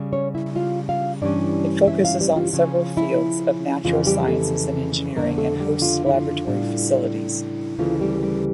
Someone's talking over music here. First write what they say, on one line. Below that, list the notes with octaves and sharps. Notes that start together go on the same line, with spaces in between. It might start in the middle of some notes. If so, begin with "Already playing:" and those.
It focuses on several fields of natural sciences and engineering and hosts laboratory facilities.
Already playing: C#3 G3
C#4 C#5
E4 E5
F4 F5
F4 F5
G2 E3 G3 C#4 D4 D5
E4 E5
F4 F5
G3 G4
F4
C#3 F3 C#4 F4
F4
E4
F2 C#3 E3 F4
G3 G4
A3 A4
F2 D3 A3 A#3 D4 A#4
A3 A4
G3 G4
F4
E4
F4
A2 G3 D4
D2 C#3 E3 A3 F4
G3 G4
G3 G4